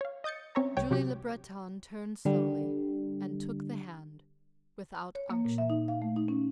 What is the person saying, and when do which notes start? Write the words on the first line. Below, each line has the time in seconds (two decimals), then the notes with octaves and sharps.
Julie Le Breton turned slowly and took the hand--without unction.
0.01 C#5 F5
0.24 D#5 D#6 G6 A6 C#7
0.55 C4 C#4 C#5 E5 A#5
0.77 C2 C#5 G5
0.91 C3 F#3 F#4 G4
2.25 D3 G3
5.15 C#5
5.30 A#3
5.45 A#2
5.58 E5
5.70 D#4
5.88 F5
6.02 A3
6.16 D#4
6.28 C#4